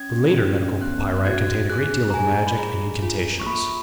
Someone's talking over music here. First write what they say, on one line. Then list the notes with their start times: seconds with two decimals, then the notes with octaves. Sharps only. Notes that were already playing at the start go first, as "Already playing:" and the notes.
The later medical papyri contain a great deal of magic and incantations.
Already playing: C#4 G#6
0.37 C#4
0.81 B3 F#6
1.17 F#6
1.25 F#4 G#6
1.70 G#4 F#6
2.10 A#5
2.13 G#4 G#5
2.47 B5
2.58 G#4 A#5
3.03 F4
3.40 C#6
3.46 A#3 B5